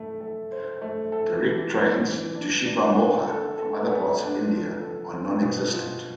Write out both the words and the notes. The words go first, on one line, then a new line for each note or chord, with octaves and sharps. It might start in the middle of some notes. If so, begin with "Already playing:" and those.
Direct trains to Shivamogga from other parts of India are non-existent.
Already playing: A3 E4
A4
C5
A3
A4
E3
E3
E3
D4
D4
D4
A4
A4
B3
D4
F3
A4
C4
B2
F4